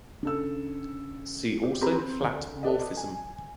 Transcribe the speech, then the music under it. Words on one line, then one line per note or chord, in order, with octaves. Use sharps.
See also flat morphism.
C#3 D4 A4 E6
G4
C4 G4 G#4 B4 A#5 B5
C4
D2
A4 B4 D5 D#5
G#5